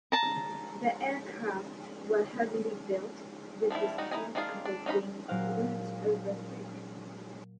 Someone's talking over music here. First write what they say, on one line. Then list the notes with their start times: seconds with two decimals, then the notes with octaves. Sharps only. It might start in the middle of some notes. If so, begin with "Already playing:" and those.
The aircraft were heavily built, with the skin at the wing roots over thick.
0.12 A5 A#5
3.70 F3 G3 A3 E4
3.98 G3 D#4 F#4
4.11 D#4 E4 G#4 D#5 G#5
4.35 D#3 D4 F4 G#4 F5
4.65 D4
4.86 C#4 D#4 F5 B5
5.28 A#2 F#3 A#4 C5 F5 F#5